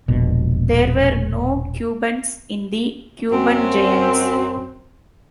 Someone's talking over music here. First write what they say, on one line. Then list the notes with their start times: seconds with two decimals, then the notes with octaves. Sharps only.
There were no Cubans in the "Cuban Giants".
0.08 E1 A#1 B2
3.32 F#2 C4